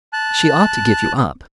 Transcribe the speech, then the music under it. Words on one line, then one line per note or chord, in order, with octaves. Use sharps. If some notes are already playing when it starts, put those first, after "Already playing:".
She ought to give you up.
A5 F#6